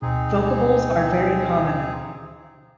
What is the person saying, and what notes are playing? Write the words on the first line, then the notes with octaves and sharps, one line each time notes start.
Vocables are very common.
D2 B2 C4 D#4 G#4